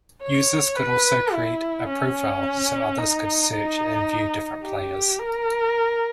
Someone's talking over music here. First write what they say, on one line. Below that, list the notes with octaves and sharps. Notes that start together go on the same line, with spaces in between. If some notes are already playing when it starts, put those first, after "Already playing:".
Users could also create a profile, so others could search and view different players.
C#5
B4
E4
C#4
D#4
D#4
G4
A#4